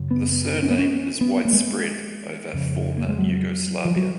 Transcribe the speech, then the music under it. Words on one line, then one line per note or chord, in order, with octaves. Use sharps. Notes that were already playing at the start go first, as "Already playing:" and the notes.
The surname is widespread over former Yugoslavia.
Already playing: F#2 C#3
B3
B3
C#4
B3
C#4
B3
A#3
G#3
F2 C#3
A#3
G#3
F#3
F3
F#3